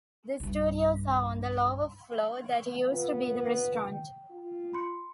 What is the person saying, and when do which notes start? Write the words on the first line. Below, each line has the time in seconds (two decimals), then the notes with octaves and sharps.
The studios are on the lower floor that used to be the restaurant.
0.40 B1 G2
2.87 B3 F4 F5
3.88 G5
4.30 F4
4.73 B5 C6 C#7